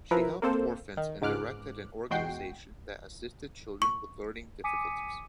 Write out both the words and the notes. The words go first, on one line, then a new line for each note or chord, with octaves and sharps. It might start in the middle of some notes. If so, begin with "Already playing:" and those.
She helped orphans and directed an organisation that assisted children with learning difficulties.
F3 E4 A#4 B4
A#3 C4 A4 C5
D#3
C#2 G#2 D6 F6 F#6
E2 G#3 F#4 G5 C7
C#6
G#5 D6 D#6 B6 C#7 D#7